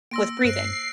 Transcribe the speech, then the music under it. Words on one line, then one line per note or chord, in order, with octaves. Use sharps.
with breathing.
A#3 C6 E6 A#6 D7
G2 C5 F#6 C7 D7